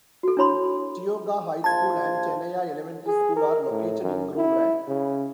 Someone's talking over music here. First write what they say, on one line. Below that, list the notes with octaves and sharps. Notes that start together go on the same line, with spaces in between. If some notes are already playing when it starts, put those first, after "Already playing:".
Tioga High School and Tenaya Elementary School are located in Groveland.
F#4 A4
D4 E4 C#5 B5 C6
A#1 F4 C5 A5 G#6
G#4
A#4
A2
F#2
E4
C#3